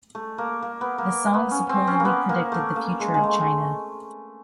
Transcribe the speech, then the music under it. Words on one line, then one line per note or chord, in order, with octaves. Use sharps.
The song supposedly predicted the future of China.
A3
A#3
A#3
B3
A#3
B3
C#4
C4
C#4
A#3
B3
A#3
A3
A#3
G#3
G#3
A3